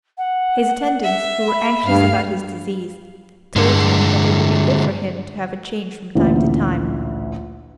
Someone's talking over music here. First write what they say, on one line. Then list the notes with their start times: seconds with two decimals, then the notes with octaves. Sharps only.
His attendants, who were anxious about his disease, told him that it would be good for him to have a change from time to time.
0.17 F#5
1.03 E5
1.47 B5
1.86 D2 G2 F5
3.56 G2 D3 G#3
6.15 A1 D2 A#2